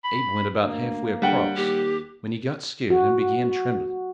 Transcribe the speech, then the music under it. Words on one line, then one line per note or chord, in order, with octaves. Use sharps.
Abe went about half way across, when he got scared and began trembling.
B5
D2 A#3
D3 G3 F#5 G5
D#2 G4
F#4